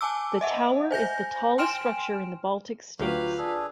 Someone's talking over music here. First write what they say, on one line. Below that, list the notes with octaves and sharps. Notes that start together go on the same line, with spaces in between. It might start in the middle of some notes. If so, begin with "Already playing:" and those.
The tower is the tallest structure in the Baltic states.
G#5 A5 D6 E6
D#5 E5 F#5
C5 G#5 G6 A#6
G5 G#5 C6 F6 D7 E7
D2 F#3 F4 G4 B4 F5
D4 G#4 A4